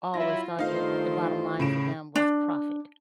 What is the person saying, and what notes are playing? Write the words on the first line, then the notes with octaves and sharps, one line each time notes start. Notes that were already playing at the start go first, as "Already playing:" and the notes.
always thought it the bottom line for them was profit,
F#3 E4 F4 A#6
G2 D#3 A3 D#4 F4 C5 F5
A2 C#3 D7 E7
D4